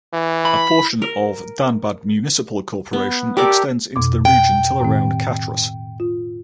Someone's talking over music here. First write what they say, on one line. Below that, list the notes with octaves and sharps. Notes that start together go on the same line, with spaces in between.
A portion of Dhanbad Municipal Corporation extends into the region till around Katras.
E3
B5
A#4
B3
G4 A4 A#4 D5
F2 B2 D6
G5
A2 D#3 C4
F4